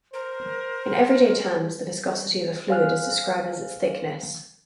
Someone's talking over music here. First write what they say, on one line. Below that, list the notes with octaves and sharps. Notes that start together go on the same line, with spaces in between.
In everyday terms, the viscosity of a fluid is described as its "thickness".
A#4 C5
C5 F5 G#5 F6 F#6